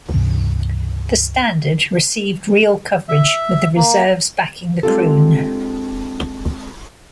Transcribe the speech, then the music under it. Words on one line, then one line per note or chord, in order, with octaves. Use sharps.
The standard received real coverage with the reserves backing the kroon.
C#2 G2 C3 E3
E5
A#3
G#3 C4 D4 F4 G4 A4